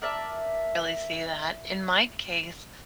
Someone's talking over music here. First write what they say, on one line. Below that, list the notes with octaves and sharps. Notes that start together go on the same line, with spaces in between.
Really see that. In my case,
A#4 D5 E5 A5